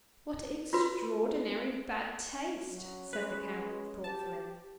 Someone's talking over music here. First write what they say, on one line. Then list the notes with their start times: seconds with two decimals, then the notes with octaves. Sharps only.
"What extraordinary bad taste!" said the count, thoughtfully.
0.73 F4 F#4 B4
2.70 F#3 C#4
3.13 G#3 B4
4.04 G4 A5